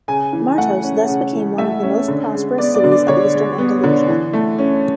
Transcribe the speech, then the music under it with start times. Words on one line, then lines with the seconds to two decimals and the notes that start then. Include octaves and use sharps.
Martos thus became one of the most prosperous cities of eastern Andalusia.
0.08 C#3 G#5
0.33 E3
0.58 A3 F#5
0.83 C#4
1.08 C#3
1.33 E3
1.58 A3 E5
1.83 C#4
2.08 D3
2.34 G#3
2.58 B3 D5
2.74 D5
2.84 D3
2.91 D5
3.08 D3 C#5
3.33 G#3
3.58 B3
3.84 D3
4.08 E3
4.33 A3
4.59 C#4